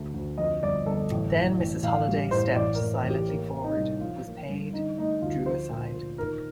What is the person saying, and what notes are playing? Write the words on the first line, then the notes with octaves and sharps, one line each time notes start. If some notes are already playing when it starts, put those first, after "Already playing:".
Then Mrs. Holliday stepped silently forward, was paid, drew aside.
Already playing: D2 A3
D2
F2 D#5
G1 D5
G1 A4
A1
A2
A1
A1 F5
G3
A2 C5
A1 D5
A#4
A1
A1
G4
A#3
A#3
D#4
C2
F3 F4
A#3
G2
D3 D#4
A3 D#4
D2 F4
F3 C5
A#2
A#2
D#3 A#4